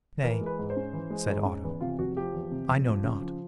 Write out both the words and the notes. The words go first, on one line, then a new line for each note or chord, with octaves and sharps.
"Nay," said Otto, "I know not."
E3 A#4
G#3
B4
G#2
C5
C#4
E3
G#3
G#2
C#4
E2 B4
C3 F4
F1 F#4
F3 G4
E2
C3
F1
F3
C#3
F3